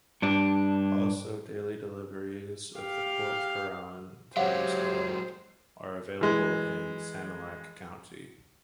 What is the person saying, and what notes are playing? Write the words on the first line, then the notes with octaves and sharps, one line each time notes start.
Also daily deliveries of the Port Huron Times Herald are available in Sanilac County.
G2 D4
G4 F5
C3 F#3 G#3 G4 C5 C#5 F5 F#5
E3 G#3